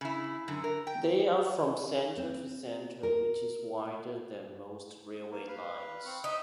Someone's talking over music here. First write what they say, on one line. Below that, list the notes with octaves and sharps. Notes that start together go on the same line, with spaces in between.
They are from center to center, which is wider than most railway lines.
C#3 E4
F#2 D3
A#4
G5
C4
A#4
A#3
B4 F5
C4 C#6 F#6
D#4 E5